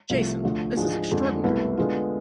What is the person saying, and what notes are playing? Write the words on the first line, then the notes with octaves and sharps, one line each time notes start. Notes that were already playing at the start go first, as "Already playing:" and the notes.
Jason, this is extraordinary!
C2 C3 F3 A3
D2 D3 F3 A3
G#2 F3 G#3 D4 G#4
F2 D3 G#3
C2 B2 A3 E4 B4
D3 G#3 B3 F4